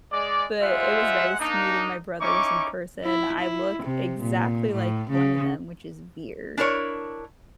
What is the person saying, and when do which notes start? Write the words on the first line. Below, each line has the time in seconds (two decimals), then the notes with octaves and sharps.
but it was nice meeting my brothers in person. I look exactly like one of them, which is weird.
0.12 G#3 D5
0.61 G3 G#3 F4 C5 E5 F#5
1.39 A#3 D4 D#4
2.21 C#4 D#4 E4 C#6 D6
3.04 E4
3.40 E4
3.83 C3
4.20 A#2
4.72 A2
5.10 C#3
6.58 D4 E4 A#4 C#5